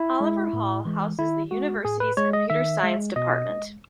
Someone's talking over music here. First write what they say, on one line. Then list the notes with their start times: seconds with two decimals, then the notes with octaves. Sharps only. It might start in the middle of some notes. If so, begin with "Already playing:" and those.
Oliver Hall houses the University's Computer Science Department.
Already playing: E4
0.20 G#3
0.53 A2
0.85 E3 G#3
1.19 D#3 E4
1.51 G#3 F#4
1.85 A2 G#4
2.00 B4
2.17 G#3 C#5
2.33 D#5
2.50 D#3 E5
2.83 G#3
3.16 B2 D#5
3.49 G#3